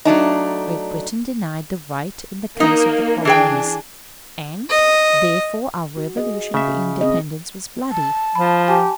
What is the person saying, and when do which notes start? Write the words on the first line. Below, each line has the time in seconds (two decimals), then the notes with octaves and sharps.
Great Britain denied the right in the case of the colonies, and therefore our revolution for independence was bloody.
0.05 F#3 A3 D4 D#4
2.60 A#3 D#4
3.25 E3 D4 G#4 G5
4.70 D#5
5.97 F#4
6.17 G#4 D#5
6.54 C#3 E5
7.01 C4 G#4 D#5
7.91 A5
8.35 F3 B5
8.68 G4 G#5 A5